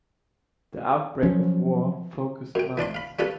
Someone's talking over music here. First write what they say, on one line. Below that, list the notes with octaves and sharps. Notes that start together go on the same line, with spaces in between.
The outbreak of war focused minds.
F3 F#3 C#4
F#2 G5
E3 D4 D5 C6
F5 B5
G3 C4 D4 F4 A4 B4